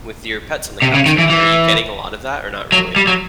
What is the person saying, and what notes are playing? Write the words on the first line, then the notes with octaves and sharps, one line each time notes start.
with your pets on the couch. I mean, are you getting a lot of that or not really?
C3
C#3
D#3
E3
E3
F#3
G3
F#3